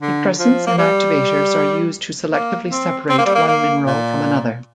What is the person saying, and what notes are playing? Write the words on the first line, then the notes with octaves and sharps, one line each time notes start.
Depressants and activators are used to selectively separate one mineral from another.
D3
F3
A#3
G3
A#3
C4
C4
A#3
G3
A#3
A#3
A#2